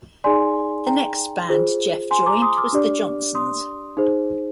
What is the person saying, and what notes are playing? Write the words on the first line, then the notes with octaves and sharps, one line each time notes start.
The next band Jeff joined was The Johnsons.
D#4 G#4 D5 G#5 C6
G5 A#5
F4 G#4 C5
G#5 C6
A#5 D6
C6 D#6
D6 F6
D4 G4 D5
C6 D#6
D#4 G#4 C5